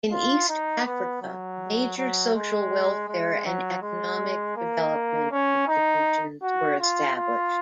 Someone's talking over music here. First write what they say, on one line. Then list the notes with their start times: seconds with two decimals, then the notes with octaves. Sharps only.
In East Africa, major social welfare and economic development institutions were established.
0.12 F4
0.49 D#4
0.86 B3
1.22 F#3
1.97 F#3
2.35 G#3
3.08 G#3
3.45 F#3
3.82 G#3
4.56 A#3
5.32 C#4
5.68 D#4
6.42 F#4
6.80 F4
7.16 F4